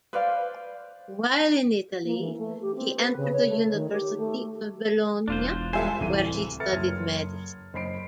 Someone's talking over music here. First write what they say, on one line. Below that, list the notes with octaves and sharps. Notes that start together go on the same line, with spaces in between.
While in Italy he entered the University of Bologna, where he studied medicine.
B4 C5 D5 F5
A#3
E3
A3
G4
C4
B4
C#3
C#5
A3
D#3
G4
A3
E1 D4 F4 C5
G3 G#3 F4 A4 C5 E5 G#5
D1 C2 E3 A3 D#7
A4 B4 E5 F6 A6 C#7
F#1 C6 F6 G#6
F#1 C5 D#5 B5 C7 D7